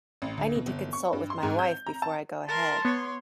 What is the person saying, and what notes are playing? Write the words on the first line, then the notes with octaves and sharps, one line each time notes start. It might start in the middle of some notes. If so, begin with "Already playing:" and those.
I need to consult with my wife before I go ahead.
A1
D2
B2
G1
C#6
G2
C6
G#2
G6
A#5
A5
A#4 A5 C6
B3 C#5